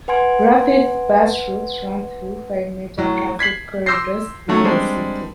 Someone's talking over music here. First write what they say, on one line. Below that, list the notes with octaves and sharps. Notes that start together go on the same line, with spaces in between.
Rapid bus routes run through five major transit corridors through the city.
B4 F#5 G#5 C6 G#6 D7
A2 F#3
G#6 B6 C7 F#7
C6 D6 E6 G6 A#6 C7
D#3 F#3 A3 C#4
G3 G#3 C4 D4